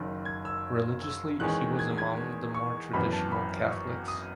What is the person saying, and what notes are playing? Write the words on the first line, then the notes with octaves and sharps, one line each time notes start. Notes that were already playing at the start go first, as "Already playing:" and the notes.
Religiously he was among the more traditional Catholics.
Already playing: F#1 F#2 D#3
G#6
E6
E6
E2 D#3 G#3 C#4 F#6
G#6
G#6
C#6
G#1 F#2 E3 B3 B5
A5
B5
C#6
D#6